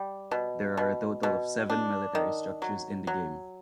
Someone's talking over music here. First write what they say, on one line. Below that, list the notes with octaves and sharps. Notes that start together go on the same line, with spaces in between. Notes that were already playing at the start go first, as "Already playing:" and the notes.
There are a total of seven military structures in the game.
Already playing: G3
B2
B2
B2
D4
D#3
F#3
F#3